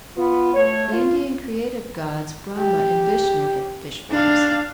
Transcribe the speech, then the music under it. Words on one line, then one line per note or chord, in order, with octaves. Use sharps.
The Indian creative gods Brahma and Vishnu had fish forms.
B3 F4
A3 C#5
F4
G4
D4 F5